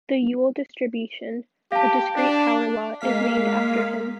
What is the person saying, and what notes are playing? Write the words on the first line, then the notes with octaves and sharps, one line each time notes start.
The Yule distribution, a discrete power law, is named after him.
G4 F5 A5
D4
G#3 A#3 F5 B6